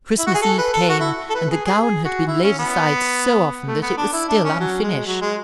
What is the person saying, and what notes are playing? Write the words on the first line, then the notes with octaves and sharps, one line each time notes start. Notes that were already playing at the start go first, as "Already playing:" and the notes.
Christmas eve came, and the gown had been laid aside so often that it was still unfinished.
E4
F#4
G#4
A4
B4
A4
F#4
E4
A4
B4
G#4
G#4
G#4
F#4
E4
C#4
B3
A3
B3
D4
E4
D4
C#4
F#3
G#3
F#3
G#3